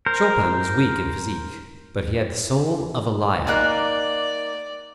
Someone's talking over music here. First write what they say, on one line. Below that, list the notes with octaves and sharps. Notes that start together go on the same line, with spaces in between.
Chopin was weak in physique, but he had the soul of a lion.
A#4 C5
A#3 D#4 D5 G#5 A#5 F#6